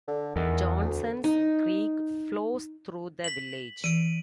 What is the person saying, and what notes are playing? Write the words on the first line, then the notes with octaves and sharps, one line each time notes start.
Johnson's Creek flows through the village.
D3
E2 D#3
D2
D#4
B6 F#7
E3 D7 D#7